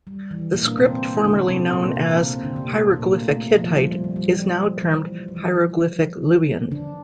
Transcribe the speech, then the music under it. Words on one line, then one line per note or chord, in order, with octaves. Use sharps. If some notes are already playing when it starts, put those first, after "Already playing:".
The script formerly known as "Hieroglyphic Hittite" is now termed Hieroglyphic Luwian.
G3
E3
A#2 A#3
D4
C3 C4
E4
D3 D4
C3 C4
A#2 A#3
C3 C4
C3 C4
C4
D3 D4
A#3
C3 C4
A#2 A#3
A3
F3
G3
F3
G3
F3
G3
F3
E3
F3
E3
F3
D3 D4